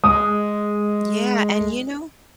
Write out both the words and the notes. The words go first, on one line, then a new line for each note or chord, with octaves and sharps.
Yeah, and you know
G#3 D#6